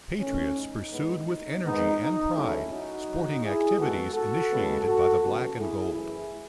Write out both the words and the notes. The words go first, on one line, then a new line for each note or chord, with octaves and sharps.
"Patriots" pursued with energy and pride sporting activities initiated by the "Black and Gold".
E2 D#3 A3 C#4
D#4
A2 G#3 B3
G#2 D#3 G#3 B3 D#4
D#4
C#2 C#3 F#3 A3 C#4 E4
D#4 F#4
F#2 C#3 F#3
E4 G#4
E2 D#3 G#3 B3 F#4 A4
F#4 A4
D#2 C#3 G#3 B3
F#4 A4
D#2 C#3 F#3 B3 F#4 A4
E4 G#4
F#2 E3 A3 E4 G#4